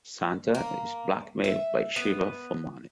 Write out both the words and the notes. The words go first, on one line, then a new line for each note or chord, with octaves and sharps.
Santa is blackmailed by Shiva for money.
A#3
E5
B3